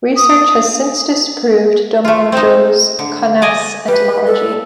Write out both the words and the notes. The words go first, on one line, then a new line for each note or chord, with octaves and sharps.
Research has since disproved Domengeaux's "connasse" etymology.
D#6
A3 F4
C4 D#4
D3
D5 D#5 G#5
G3 B4
A4